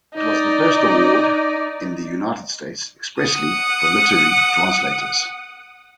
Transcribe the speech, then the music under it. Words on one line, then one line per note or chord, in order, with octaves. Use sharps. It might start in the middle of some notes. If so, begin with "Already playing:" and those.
It was the first award in the United States expressly for literary translators.
D#4 D5
F#5 D#6